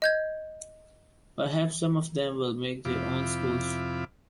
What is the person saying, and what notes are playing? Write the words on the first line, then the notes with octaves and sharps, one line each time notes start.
Perhaps some of them will make their own schools.
D#5 G6 G#6
F2 C3 E4 F4 B5 D6